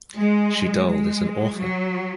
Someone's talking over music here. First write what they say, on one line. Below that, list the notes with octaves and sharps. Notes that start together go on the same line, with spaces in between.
Shital is an author.
G#3
G#3
F#3